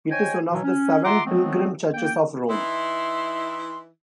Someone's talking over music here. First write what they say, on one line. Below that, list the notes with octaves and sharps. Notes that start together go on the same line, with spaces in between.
It is one of the Seven Pilgrim Churches of Rome.
C5 C#5 D#5 G5 G#5
B2 E3 F#3
C#4
F4 E5 F#5 A#5 C6 D6
F3 F#3 G#3 A3 B3 C4
A#3 G5
E3 D#4 E4 C6